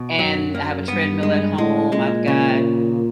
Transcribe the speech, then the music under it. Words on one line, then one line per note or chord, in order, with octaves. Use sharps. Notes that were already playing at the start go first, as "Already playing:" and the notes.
and I have a treadmill at home, I've got
Already playing: B2
F#2 F#3
A#3
G2 B3
G#3
A2 G#3
A#2 G#3
C#3